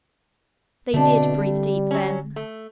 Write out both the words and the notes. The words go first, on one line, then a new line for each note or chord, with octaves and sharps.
They did breathe deep then!
B2 D3 A3 C4 D4
G3
F#3 C#4
A3